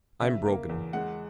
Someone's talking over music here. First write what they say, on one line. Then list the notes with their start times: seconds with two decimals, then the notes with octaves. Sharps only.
I'm broken.
0.21 C#3 E5
0.45 A#3
0.69 E2
0.93 G#3 F#5